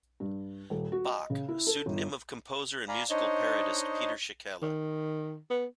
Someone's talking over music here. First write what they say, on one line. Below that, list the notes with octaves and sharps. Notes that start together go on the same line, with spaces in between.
Bach, pseudonym of composer and musical parodist Peter Schickele.
G2
D#1
F#4
D#5
C#3
E4
A4
G1
D5 F5 G#5 A#5 B5
D4 D#4 C5 C#5 D#5
D#3
B3